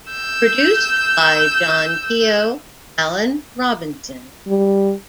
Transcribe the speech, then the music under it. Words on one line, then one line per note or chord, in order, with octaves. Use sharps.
Produced by: John Keogh, Alan Robinson.
E6 G6
G3